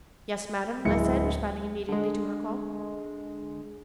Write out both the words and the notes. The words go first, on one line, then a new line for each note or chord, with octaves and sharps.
"Yes, madam," I said, responding immediately to her call.
D1 G#3 E4 C#7
D3 G#3